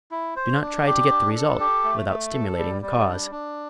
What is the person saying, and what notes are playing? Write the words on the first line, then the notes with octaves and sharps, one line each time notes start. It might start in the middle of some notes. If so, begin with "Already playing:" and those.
Do not try to get the result without stimulating the cause.
E4
C5
D4
G4
D4
A4
G4
A3
A3
A4
G3
G3
D4
D4